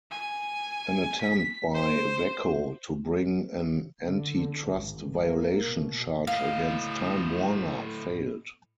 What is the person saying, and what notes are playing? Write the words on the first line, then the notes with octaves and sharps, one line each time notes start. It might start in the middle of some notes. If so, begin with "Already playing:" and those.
An attempt by Vacco to bring an anti-trust violation charge against Time-Warner failed.
G#5
B6
C5
D3
G#1
A#3
B2
A2 D#5 F5